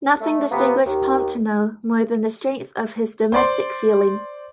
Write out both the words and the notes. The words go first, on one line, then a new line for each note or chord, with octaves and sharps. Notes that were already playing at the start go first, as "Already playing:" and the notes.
Nothing distinguished Pontano more than the strength of his domestic feeling.
A3
F2 C3 A#3 B3
D#2
C5 D5 C6